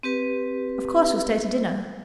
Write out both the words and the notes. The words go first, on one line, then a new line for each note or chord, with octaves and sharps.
"Of course you'll stay to dinner?"
C4 G4 B4